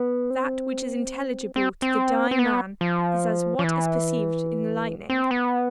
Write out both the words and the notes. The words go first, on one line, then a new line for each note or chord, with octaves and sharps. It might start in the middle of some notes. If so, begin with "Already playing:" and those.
That which is intelligible to the dying man is as what is perceived in the lightning.
Already playing: B3
C4
C4
C4
C4
B3
F3
F3
E3
C4
B3